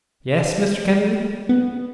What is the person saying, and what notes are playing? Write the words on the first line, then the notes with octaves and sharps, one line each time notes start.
"Yes, Mr. Kennedy?"
B3